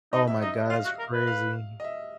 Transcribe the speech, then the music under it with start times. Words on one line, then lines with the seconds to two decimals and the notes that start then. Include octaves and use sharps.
Oh my god, that's crazy.
0.13 D#4 D#5
0.27 E5
0.41 D#4 D#5
0.70 F4 F5
0.85 F#4
0.99 A#4
1.13 B4
1.27 F5
1.80 D#5
1.84 E5